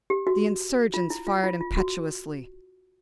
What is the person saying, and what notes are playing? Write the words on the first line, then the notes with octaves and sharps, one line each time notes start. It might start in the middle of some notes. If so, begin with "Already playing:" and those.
The insurgents fired impetuously.
G4
F#4
F4
E4
F4
F4
F4
F#4